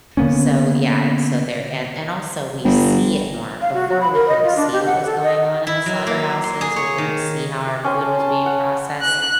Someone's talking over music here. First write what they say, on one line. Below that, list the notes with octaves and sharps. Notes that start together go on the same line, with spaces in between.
so yeah, and so there and and also we see it more, before, we couldn't see what was going on in the slaughterhouses, we couldn't see how our food was being processed
D3 A#3 B3 C#4
G1
F5
F#4
F#4
B5
A#4
D#5
F4
D4
G4
F#5
A4
D#5
E4
F#3
A#3
C6
G#4
C#5
D#3
D6
C#4 G5 G#5 C6
A5
A5
F#5
F#6